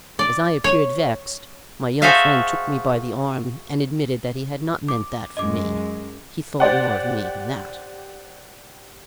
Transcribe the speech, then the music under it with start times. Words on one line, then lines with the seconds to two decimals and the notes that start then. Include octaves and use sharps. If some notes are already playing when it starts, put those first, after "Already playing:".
As I appeared vexed, my young friend took me by the arm and admitted that he had not meant that for me; he thought more of me than that.
0.19 D5
0.64 C#5
2.02 F#4 G#4 A4 C5 E5 F5
4.88 D6
5.37 F#2 G#3 D#5 D6
6.60 G4 C5 D5 F#5